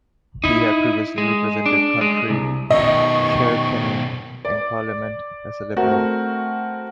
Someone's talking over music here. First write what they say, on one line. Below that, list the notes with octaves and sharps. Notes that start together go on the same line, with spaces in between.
He had previously represented County Kilkenny in Parliament as a Liberal.
D#4 E4
G#3
D4
G#3
C2
B2 D#3 D#5 C#6
D5
A3 C4 F#4 A#4